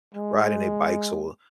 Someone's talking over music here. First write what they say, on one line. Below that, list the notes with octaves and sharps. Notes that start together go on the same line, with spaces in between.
riding their bikes or,
G#3